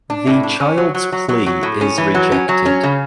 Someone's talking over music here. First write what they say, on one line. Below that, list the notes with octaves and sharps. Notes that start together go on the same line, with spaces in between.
The child's plea is rejected.
D4
A2
D4
C#4
F#3
F#3
F#3
F#3
F#3
A2
C#4
E3
F#3
C#4
F#3
C#4
C#3